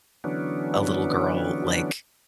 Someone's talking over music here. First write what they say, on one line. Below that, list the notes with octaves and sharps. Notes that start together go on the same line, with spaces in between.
a little girl?" Like
D3 E3 F#3 B3 C#4 D4